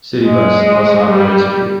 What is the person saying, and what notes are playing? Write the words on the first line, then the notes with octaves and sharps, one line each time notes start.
Citybus also operates a few.
G#3
G3